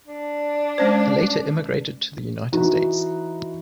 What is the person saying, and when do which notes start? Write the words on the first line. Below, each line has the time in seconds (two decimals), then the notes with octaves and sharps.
He later immigrated to the United States.
0.06 D4
0.78 G#3 C#4 C5
2.53 E3 D#4 F#4